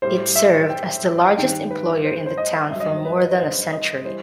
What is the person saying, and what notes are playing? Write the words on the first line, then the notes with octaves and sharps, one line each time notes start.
It served as the largest employer in the town for more than a century.
A2 G3 C5
E5
G5
G2 D#3 G3 G5
B4
C5
C5
D#5
G2 F#3 E5
D#5
C5
B4
C5
D#5
E3 G3 C5